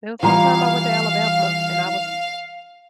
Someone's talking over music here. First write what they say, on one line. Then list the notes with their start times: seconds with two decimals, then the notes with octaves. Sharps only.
There was one time I went to Alabama, and I was
0.23 E3 G3 F4 F5 A#5